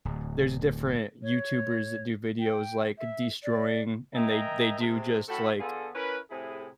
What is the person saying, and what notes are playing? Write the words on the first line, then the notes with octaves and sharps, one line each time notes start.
there's different YouTubers that do videos like destroying and they they do just, like,
D1
C#5
G5
E5
D5
A#4 D#5 E5 G5 G#5 A#5
C3 G#3
A2 F#4 A4 G5 A5 B5
D3 B3 F4 G#4 A4
C#4 E4 A#4 B4
A2 C3 E4 G#4